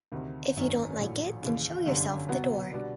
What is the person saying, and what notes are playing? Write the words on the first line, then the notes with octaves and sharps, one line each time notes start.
If you don't like it, then show yourself the door.
D2 C3 D#3
G#1 F#2 D#3
A#1 A2 F#3
D#2 C#3 E3
G1 F#2 D3 G3
C2 B2 F#3 B3
B2 G3 B3 D4